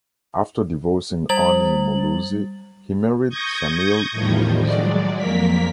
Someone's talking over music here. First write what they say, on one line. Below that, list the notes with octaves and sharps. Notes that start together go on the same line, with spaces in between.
After divorcing Annie Muluzi, he married Shanil Muluzi.
G3 A6 F#7
C#6 D#6 G6 G#6 A#6
A2 D#3 F3 G3
F#3 G#3 D5
F2 A#3 A#4 B6